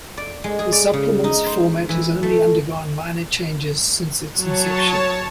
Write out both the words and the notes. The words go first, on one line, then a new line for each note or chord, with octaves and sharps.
The supplement’s format has only undergone minor changes since its inception.
D5
G#3
G#4
D5
C#3
D#4
C5
E3
A3
F#3 C#5 A5